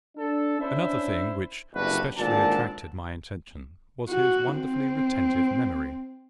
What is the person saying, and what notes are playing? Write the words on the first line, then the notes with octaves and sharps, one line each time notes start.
Another thing which specially attracted my attention was his wonderfully retentive memory.
D4 A4
C#4 D4 E4 C5 E5
F#1 C2 D4 F#4 B4
G#1 A#2 D3 D4 A5
F#4
C4